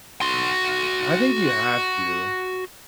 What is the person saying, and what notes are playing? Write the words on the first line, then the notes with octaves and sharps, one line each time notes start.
I think you have to,
F#4 C6